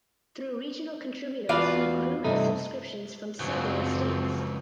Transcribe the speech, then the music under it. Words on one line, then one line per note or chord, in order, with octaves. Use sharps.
Through regional contributors he grew his subscriptions from several states.
E2 F4 F#4 B4 D5 F5
G2 C3 A3 D#4
C#2 F#2 F3 F#3 C4